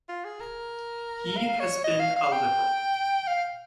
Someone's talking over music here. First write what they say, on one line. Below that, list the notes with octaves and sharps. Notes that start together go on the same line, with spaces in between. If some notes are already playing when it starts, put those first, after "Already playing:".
He has been a Liberal.
F4
G#4
A#4
F5
C#5
D#5
F5
F5
G5
F5